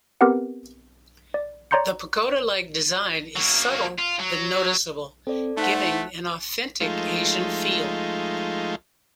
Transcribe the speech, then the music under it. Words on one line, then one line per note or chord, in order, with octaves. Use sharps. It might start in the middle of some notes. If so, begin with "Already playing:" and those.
The pagoda-like design is subtle but noticeable, giving an authentic Asian feel.
B3 C4 G4 A#4 B4 F#5
D5
C#5 D5 A#5 C6 G6 C#7
F#3 A#3
F4
F#3
C4 A4 D5
A3 D#4 C5 F#5 A5 F#6 B6
F3 G#3 A3 D#4 F4